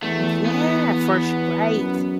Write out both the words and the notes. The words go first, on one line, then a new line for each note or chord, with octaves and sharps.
Yeah, for su right.
E2 A3
B3
F#2